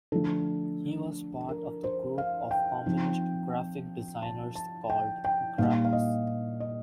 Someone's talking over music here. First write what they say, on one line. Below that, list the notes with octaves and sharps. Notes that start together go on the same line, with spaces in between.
He was part of the group of Communist graphic designers called Grapus.
D3 F3 A3 A4
A#4
C5
F5
G5
F3 C4 D#4
A5
A5
G5
G5
A#2 G3 A#3 D#4 F5
F5
D#5
D#5